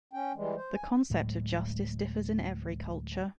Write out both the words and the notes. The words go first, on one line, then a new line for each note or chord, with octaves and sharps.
The concept of justice differs in every culture.
C#4 G5
E3 G3 G#3
C5
G#5
D2 A2 F#3 G#3